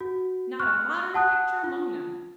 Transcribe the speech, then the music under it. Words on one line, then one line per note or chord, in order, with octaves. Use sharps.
Not a modern picture among them.
F#4
C#6 F6 F#6
F#5 A5 D#6 F#6
F4